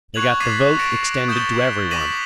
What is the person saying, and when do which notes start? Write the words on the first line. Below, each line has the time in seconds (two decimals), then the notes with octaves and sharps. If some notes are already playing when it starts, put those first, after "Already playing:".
They got the vote extended to everyone.
0.14 C#6 F#6 G#6 F7 F#7
0.40 D6 G#6 A6 B6 C7 D#7
0.79 A6 A#6 C#7 D7 E7
1.28 D#6 G6 A6 E7 G7
1.91 D6 A#6 B6 D#7 E7 F#7